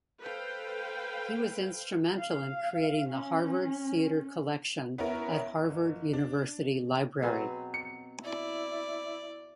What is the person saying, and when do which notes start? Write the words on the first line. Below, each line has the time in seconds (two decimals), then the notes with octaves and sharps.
He was instrumental in creating the Harvard Theatre Collection at Harvard University Library.
0.21 A4 B4 C5 F5 G5
2.18 F5
3.10 C#4
4.98 B3 C#4 E4 A#4
5.65 F#1
6.13 D4
7.22 B2 F#3 C4 G#4 B4
7.74 C#7
8.25 E4 D5